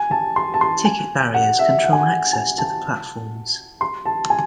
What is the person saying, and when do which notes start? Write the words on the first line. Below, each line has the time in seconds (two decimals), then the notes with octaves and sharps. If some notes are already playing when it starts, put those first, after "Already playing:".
Ticket barriers control access to the platforms.
Already playing: G#5
0.11 A5
0.36 C6
0.54 A5
0.61 C6
0.85 G#5
1.34 F#5
1.59 E5
1.84 F#5
1.93 G#5
2.01 F#5
2.33 G#5
2.58 A5
3.81 C6
4.06 A5
4.30 G#5